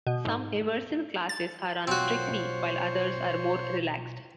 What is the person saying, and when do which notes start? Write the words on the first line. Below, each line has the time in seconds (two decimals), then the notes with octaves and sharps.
Some Emerson classes are run strictly while others are more relaxed.
0.07 B2
0.27 G#2
1.29 A6
1.87 B1 C4 F4 F#4 C5 C#5